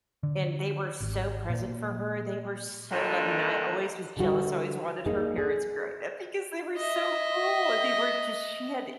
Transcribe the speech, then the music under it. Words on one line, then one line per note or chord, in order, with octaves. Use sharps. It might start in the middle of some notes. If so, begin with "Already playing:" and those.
and they were so present for her, they were so loving, I always was jealous, I always wanted her parents growing up because they were so cool, they were just she had
D3
G#1
A#2
G2 A#2 D3 D#3
D3 G3 F#4
A#3 D#4 G#4
G#4
D#5 E5